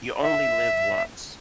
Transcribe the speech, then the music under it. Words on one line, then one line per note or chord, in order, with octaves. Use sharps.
"You only live once,"
E5